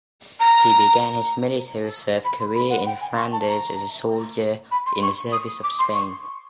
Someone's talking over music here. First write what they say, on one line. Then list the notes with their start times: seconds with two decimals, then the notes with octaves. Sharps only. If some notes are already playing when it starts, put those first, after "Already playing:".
He began his military serve career in Flanders as a soldier in the service of Spain.
0.40 A#5
2.25 B5
2.40 C6
2.55 B5
2.70 F#5
2.86 G5
3.01 G#5
3.17 C#6
3.33 A5
3.48 A#5
4.71 B5
4.86 C6
5.02 C#6
5.32 D#6
5.63 D6
5.79 C6
5.94 C#6